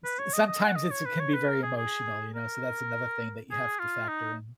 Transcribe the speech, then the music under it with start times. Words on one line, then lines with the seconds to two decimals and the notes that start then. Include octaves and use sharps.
S sometimes it's can be very emotional, you know, so that's another thing that you have to factor in.
0.04 B4
0.19 C#5
0.33 D#5
0.47 D#5
0.62 F#5
0.76 D#5
0.91 C#5
1.05 B4
1.20 C#5
1.33 B4
1.49 A#4
1.63 G#4
1.77 G#4
2.35 A#4
3.51 G#4
3.79 F4
4.08 D#4